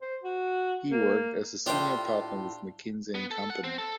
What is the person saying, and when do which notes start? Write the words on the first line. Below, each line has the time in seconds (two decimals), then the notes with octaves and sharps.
He worked as a Senior Partner with McKinsey and Company.
0.02 C5
0.24 F#4
0.91 A#3
1.66 A2 D4 F4 G4 C5
3.15 B3
3.31 A4
3.50 F#5
3.64 C4
3.78 A4